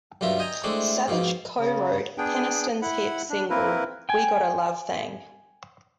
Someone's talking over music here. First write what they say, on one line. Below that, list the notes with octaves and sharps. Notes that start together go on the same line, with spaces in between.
Savage co-wrote Peniston's hit single "We Got a Love Thang".
B1 G2 F4 A#4 E5
D#5 G5 G#5 A#5
G#3 A3 C4 D4 E4
G#2 B2 F3 A#3
C#3
B3 D4 G#4 G5
E4 F#5 B5
D4
A#3 C4 E4 A#4 B4
G5 G#5